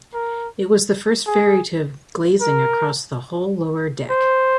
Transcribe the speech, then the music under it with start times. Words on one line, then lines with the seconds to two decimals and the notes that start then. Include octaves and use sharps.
It was the first ferry to have glazing across the whole lower deck.
0.14 A#4
1.27 G#4
2.41 A#4
4.10 C5